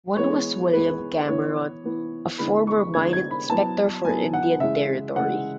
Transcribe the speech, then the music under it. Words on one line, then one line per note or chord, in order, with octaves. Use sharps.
One was William Cameron, a former Mine Inspector for Indian Territory.
E3 G#3 B3 C#5
E3 G#3 B3 B4
E3 B3 E4 C#5
E3 B3 E4
D3 G#3 B3 E4 B5
C#6
D3 G#3 B3 E4 G#6
G#6
B5
F#3 B3 E4 A5
F#3 B3 E4 G#5
F#5
C#3 E3 G#3 E5
C#3 E3 G#3 F#5